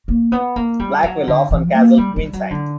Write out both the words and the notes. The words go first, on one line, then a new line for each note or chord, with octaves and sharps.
Black will often castle queenside.
A#3
B3
A#3
G3
F#3
D3
E3
A#3
G3
G3
F#3
D3